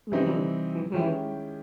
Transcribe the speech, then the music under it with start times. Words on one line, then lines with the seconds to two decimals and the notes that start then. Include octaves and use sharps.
Mhm. Mhm. Mm.
0.12 C3 E3 G3 C4 D#4
0.94 D#3 G#3 C#4 E4 G4